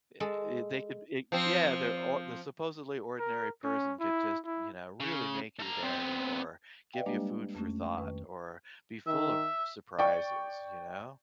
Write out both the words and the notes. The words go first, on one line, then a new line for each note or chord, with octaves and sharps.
Eh eh they could eh yeah, they're or the supposedly ordinary person could just, you know, really make your day or give you food for thought or be full of surprises, you know?
G#3 A4
F3 C4
A#4
C#4
E4
E4
C#3
A3 A#5
B3 C4
B4 D5 D#5 F5 G5
G3 G#3 A#3 D4 G4
F2 A3 C#4
G5
F2 D#3 B4 C#6
D#3 E5
D5 G5 C#6